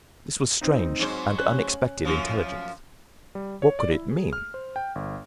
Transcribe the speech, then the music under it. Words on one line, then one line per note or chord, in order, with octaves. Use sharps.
This was strange and unexpected intelligence; what could it mean?
C4 D#4
G#2 F#3 C5
C#4 F#6
F#2 F3
G3
C#5
D5
E4
G#4
F6
C5
G5
G1